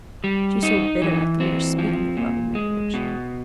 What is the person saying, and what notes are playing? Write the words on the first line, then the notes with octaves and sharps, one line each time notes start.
She's so bitter at the mere speaking of love and marriage.
G3
D#4
E3
C4
F3
A#2
G#3
B2